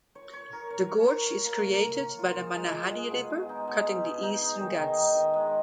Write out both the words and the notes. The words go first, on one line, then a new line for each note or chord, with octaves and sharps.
The gorge is created by the Mahanadi river cutting the eastern Ghats.
C#5
C#5
A#4
C#5
A#4
A#4
C#5
A#3
A#4
A#4
C#5
F4
G#4
G#3
G#3
G#4
B2
G#3
D#4
B2
B2
G#4
D#4
D#4
D#3
D#3
D#3
D#3
G#3